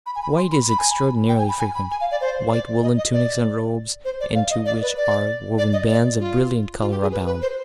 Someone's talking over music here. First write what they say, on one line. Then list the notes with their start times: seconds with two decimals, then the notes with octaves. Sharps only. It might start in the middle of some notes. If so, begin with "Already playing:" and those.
White is extraordinarily frequent; white woollen tunics and robes into which are woven bands of brilliant colour, abound.
0.06 B5
0.15 G#5
0.22 B5
0.37 C6
0.52 B5
0.68 B5
0.79 G#5
0.91 B5
1.29 G5
1.39 G#5
1.49 B5
1.59 G#5
1.75 B5
1.91 G#5
2.01 F5
2.11 D5
2.21 C5
2.51 D5
2.83 D#5
2.97 D#5
3.13 D5
4.05 C5
4.20 D5
4.35 F5
4.50 D#5
4.65 D5
4.82 B4
4.97 D5
5.58 D5
5.73 D#5
5.88 D5
6.20 F4
6.81 F4
6.91 G4
7.02 G#4
7.12 B4
7.26 B4
7.42 C5